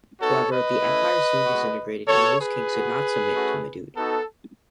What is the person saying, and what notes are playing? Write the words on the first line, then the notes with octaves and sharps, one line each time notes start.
However, the empire soon disintegrated and most kings did not submit to Madood.
B3 D#4 F#4 A4 C#5
B4 D#5
A3 C#4 E4
G#3 B3 F#4
B3 F#4 A4 C#5
G#4 B4
B3 F#4
A3 C#4 F#4
B3 D#4 F#4 A4